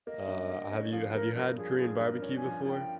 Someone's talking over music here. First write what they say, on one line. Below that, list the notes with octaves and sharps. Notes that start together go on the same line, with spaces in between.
uh, have you have you had Korean barbecue before?
A#3 D#5
G2
A#3
C#4
F3 F5
A#3 A#4
G2 A#4
F3 G#4
F3 G#4
G2
A#4
C#4
G#5
F3
F3 G5 G#5